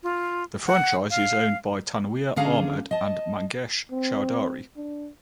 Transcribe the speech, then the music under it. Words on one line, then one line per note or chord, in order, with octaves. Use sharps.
The franchise is owned by Tanweer Ahmed and Mangesh Chaudhari.
F4
F#5
F5
D3 C#4 G#4 F5 A#5
D#5 A5
C4
D4